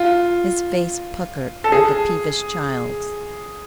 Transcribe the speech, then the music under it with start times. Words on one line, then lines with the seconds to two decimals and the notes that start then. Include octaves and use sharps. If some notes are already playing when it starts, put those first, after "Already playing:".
His face puckered like a peevish child's.
Already playing: F4
1.64 A4
1.72 G#4